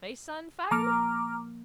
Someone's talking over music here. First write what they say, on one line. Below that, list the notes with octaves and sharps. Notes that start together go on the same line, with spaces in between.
Place on fire?
F3 A#3 A#5 D6 F6